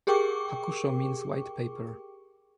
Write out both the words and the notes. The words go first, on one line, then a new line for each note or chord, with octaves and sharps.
"Hakusho" means "white paper".
G4 G#4 A#4 G5 C#6 D6